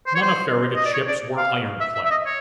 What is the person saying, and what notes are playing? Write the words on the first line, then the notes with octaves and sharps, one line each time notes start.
None of Farragut's ships were ironclad.
C5
C#5
C5
D#5
D5
C#5
D5
F5
E5
E5
E5
D#5
C#5